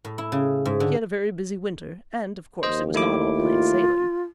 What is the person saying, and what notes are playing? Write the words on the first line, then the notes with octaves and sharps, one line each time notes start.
She had a very busy winter and, of course, it was not all plain sailing.
A2
E4
C#3
G#2
D3
D#2 C5 D#5
A3 E4 D6
F4